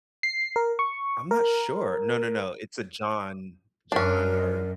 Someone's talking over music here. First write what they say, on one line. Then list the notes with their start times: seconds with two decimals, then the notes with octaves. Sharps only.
I'm not sure. No, no, no, it's a John John or
0.23 C7
0.56 A#4
0.79 C#6
1.31 A#4
3.92 F#2 C#4 D4 A#4